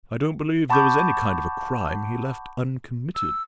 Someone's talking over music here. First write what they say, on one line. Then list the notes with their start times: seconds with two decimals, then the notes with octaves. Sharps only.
I don't believe there was any kind of a crime he left uncommitted.
0.70 F#5 A5 B5 C#6 D6 G6
3.15 E6